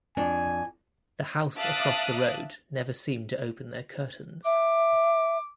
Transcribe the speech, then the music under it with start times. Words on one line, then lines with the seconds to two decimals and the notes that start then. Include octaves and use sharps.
The house across the road never seem to open their curtains.
0.17 F2 D4 G#5
1.57 E5 F5 A5 D6 D#6 F#6
4.45 E5 D6